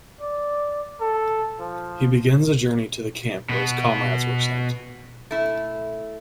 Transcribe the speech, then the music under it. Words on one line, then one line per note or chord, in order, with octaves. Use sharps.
He begins a journey to the camp where his comrades were sent.
D5
A4
F3
B2 B3
A3 E4